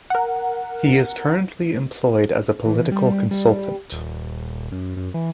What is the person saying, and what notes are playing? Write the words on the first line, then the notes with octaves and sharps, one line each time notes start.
He is currently employed as a political consultant.
A#4 F#5
E3
G3
G3
D#1
F#2
F#2
E3